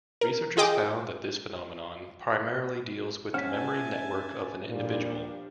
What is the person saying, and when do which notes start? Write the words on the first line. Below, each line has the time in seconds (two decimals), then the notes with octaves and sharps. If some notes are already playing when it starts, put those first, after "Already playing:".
Researchers found that this phenomenon primarily deals with the memory network of an individual.
0.21 A#4
0.57 F4 G#4 D#5 G5 D6
3.34 C#4 C5 E5 F#5 G#5 A5 F6 B6
4.69 A#2 F3 G3 D4